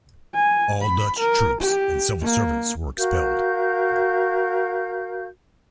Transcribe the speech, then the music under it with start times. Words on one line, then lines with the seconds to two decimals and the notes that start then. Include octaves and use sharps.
All Dutch troops and civil servants were expelled.
0.34 G#5
0.82 B5
1.19 A#4
1.61 G4
2.22 A#3
2.97 F#4 A#4 F5 G6